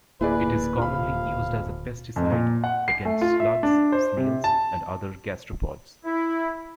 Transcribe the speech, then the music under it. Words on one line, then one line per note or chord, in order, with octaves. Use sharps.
It is commonly used as a pesticide against slugs, snails, and other gastropods.
D1 A#3 E4 G#4 B4 D5
D#1 F5 B5
F2
A#2
F#5
C7
A3
F4
E5
D4
C5
C3
A5
E4